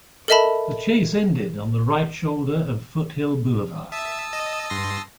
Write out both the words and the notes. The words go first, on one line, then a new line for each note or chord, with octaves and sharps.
The chase ended on the right shoulder of Foothill Boulevard.
A4 A#4 D#5 E5 A5 B5
E5 A5 D#6 E6
D#5
G2 C6 A#6